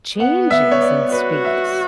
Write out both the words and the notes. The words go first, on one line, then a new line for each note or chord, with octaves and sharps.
changes in space.
B3 F#5
E5
C#5
D5
F#4 B4
E5